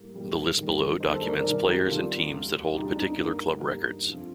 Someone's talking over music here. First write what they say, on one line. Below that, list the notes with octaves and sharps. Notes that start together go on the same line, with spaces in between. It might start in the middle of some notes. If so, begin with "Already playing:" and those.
The list below documents players and teams that hold particular club records.
Already playing: A2 G3 A#3
A2 G3 A#3
G2 D#3 G3 A#3
G2 D#3 G3 A#3 C5 D#5
A4 C5
A#4 D5
A#4 D5
C2 C3 D#3 G3 A#4 D5
G4 A#4
C2 C3 D#3 G3 F4 A4
D2 D3 G3
D2 D3 G3 D#4 G4
D4
D#4
D#4
G2 D3 G3 A#3
G2 D3 G3 A#3
F2 D3 F3